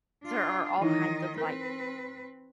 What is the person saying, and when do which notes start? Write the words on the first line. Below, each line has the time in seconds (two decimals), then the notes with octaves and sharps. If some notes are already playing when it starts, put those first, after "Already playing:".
There are all kinds of, like,
0.23 D4 F4
0.81 D#3 E3 D#4 E4 D#5
1.38 C4 A#4 B4